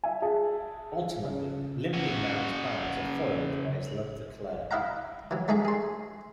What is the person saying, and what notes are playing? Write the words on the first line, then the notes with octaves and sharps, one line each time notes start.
Ultimately, Limping Man's plans are foiled by his love for Claire.
E5 G#5
G#4 E5 A5
C#3
C#3 F#4
E4 D#5 F5 F#5 A#5
E3 F#3
G#2 A3 D#4 G#4 A#5
G#4 C6